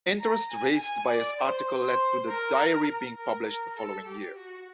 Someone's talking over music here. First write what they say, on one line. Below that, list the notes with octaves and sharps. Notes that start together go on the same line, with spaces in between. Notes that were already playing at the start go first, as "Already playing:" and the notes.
Interest raised by his article led to the diary being published the following year.
A#5
G#5
G#5
D5
C5
C5
A#4
A#4
A#4
A4
G4
F#4